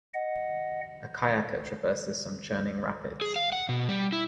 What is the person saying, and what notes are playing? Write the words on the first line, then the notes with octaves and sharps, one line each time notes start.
A kayaker traverses some churning rapids.
D#5 F#5
G#4
F5
F#5
B2
G3
E4